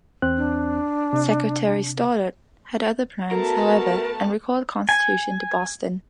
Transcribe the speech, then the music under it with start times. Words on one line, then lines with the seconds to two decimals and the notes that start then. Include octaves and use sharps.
Secretary Stoddert had other plans, however, and recalled "Constitution" to Boston.
0.22 E2 C4 F#6
0.37 D4
1.13 C3
3.31 A3 B3 F#4 A4 A#4 A5
4.89 G#5